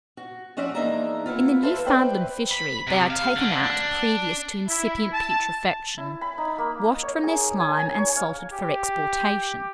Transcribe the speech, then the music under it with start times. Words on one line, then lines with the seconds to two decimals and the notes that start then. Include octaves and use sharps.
In the Newfoundland fishery they are taken out previous to incipient putrefaction, washed from their slime and salted for exportation.
0.17 F#4
0.57 F3 C#4 F#4 D5 E5
0.75 E2 A#3 D4 D#4 E5 A#5
1.26 A#3 B3 E4 F4
1.62 E4 F4 A4 B4 C5 E5
1.86 B4 C5 D5 E5 G5
2.51 B5
2.87 C3
3.10 F5
3.36 D3
3.63 D4
4.68 E4
5.13 A5
5.98 E4
6.21 B5
6.38 D#4
6.58 A#3
7.03 C#5
7.24 G#4
7.60 G#5
7.77 G#5
7.98 C#5
8.17 F5
8.53 G4